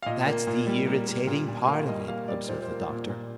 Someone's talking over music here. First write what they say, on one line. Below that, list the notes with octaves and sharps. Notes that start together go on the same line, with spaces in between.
"That's the irritating part of it," observed the Doctor.
F5
A#2 D#5
A#3
A#2
G3
A#3
A#3
A#2
A#2
A#3 F5
G3 D#5
A#3 F5
G3 D5
A#2 C5
C5
A#3
A#2
A#2